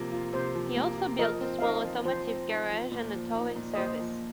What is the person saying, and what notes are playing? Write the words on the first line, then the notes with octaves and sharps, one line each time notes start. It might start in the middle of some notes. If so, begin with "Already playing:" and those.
He also built a small automotive garage and a towing service.
Already playing: C3 F3 A#3
F4
C3 C5
F3
A#3
F4
F3 A#4 D#5
C4
F5
D#4 A#4 D#5
F3
F3 C5
C4
D#4
F3
A#2
F3
D#4
A#2
D#5
A#2 C5
F3